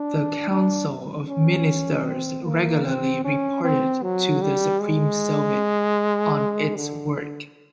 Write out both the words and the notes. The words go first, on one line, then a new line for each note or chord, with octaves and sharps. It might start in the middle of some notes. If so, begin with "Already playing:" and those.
The Council of Ministers regularly reported to the Supreme Soviet on its work.
Already playing: D4
D4
C#4
C4
A#3
C4
C#4
C4
F#3
G3
G#3
D3
D3